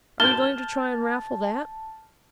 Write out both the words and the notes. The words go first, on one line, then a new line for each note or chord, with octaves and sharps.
"Are you going to try and raffle that?"
A5 F6 G6 G7